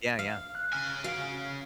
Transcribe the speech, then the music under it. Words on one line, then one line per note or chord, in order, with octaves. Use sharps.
Yeah, yeah.
F5
F#6
C#3 G#5 F6
F#4 F5 D7